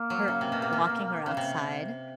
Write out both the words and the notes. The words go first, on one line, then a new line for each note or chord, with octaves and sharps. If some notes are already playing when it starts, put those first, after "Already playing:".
her walking her outside,
Already playing: A#3
F#3
C#3
C3
B2
C3
B2
C#3
C3